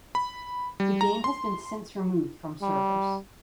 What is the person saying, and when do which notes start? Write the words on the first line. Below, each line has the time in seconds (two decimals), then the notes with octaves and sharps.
The game has been since removed from servers.
0.15 B5
0.80 G3
1.01 A#5
1.24 C6
2.62 G3